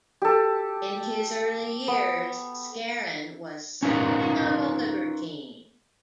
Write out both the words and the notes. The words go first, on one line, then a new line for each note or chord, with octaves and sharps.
In his early years, Scarron was something of a libertine.
G4 A4
B3
C#4 D#4 F4 A#4 B4